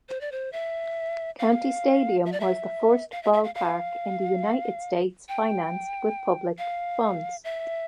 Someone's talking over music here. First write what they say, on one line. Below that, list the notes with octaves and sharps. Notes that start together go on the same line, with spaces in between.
County Stadium was the first ballpark in the United States financed with public funds.
C5
D5
C5
E5
F5
E5
D5
E5
F5
E5
E5
F5
F5
G5
F5
E5